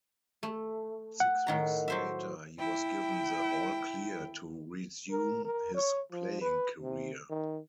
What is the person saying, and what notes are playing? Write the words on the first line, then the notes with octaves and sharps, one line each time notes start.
Six weeks later, he was given the all-clear to resume his playing career.
A3
F#5
A2 D#3 A#5
F#3 C5 E5
E4 G5
A#4
A#4
C#5
F3
B4
C3
D#3